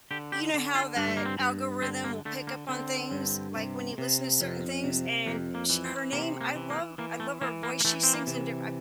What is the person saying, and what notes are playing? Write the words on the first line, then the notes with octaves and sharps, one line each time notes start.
you know, how that algorithm will pick up on things, like, when you listen to certain things, and sh her name I love I love her voice, she sings in diff I
D3 G4
G4
D3
F4
G2 D4
A3
A#3
C4
G2
D3 C4
A#3
D3 A3
A#3
D3 C4
G2
C3
C3
F2
C3
F2 A#3
A#3
E3
C4
C3 A#3
A#3
E3
A#3
E3 A#3
A3
E3 A#3
A#3
A#3
E3 A3
C4
A#3
C3